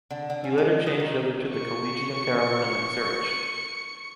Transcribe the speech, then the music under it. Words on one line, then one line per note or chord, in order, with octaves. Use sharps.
He later changed over to the Collegium Carolinum in Zurich.
D3
D3
C#4
G#3
D#5
D#3
C#6 C#7